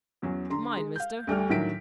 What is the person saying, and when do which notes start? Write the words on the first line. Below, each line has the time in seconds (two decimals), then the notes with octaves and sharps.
"Mine, mister."
0.22 E2 F#3 C#4
0.50 D3 A#5 C6
0.77 G#3
0.96 F5 G6
1.27 D2 G3 A3 F6
1.49 A2 D3 D#3 F#3 B6 D7